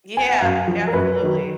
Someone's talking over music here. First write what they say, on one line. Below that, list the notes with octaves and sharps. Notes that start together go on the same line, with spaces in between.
Yeah, absolutely.
G#5
F#5
F#2 F5
F3
A#4
F#2 B4
D#3 F#3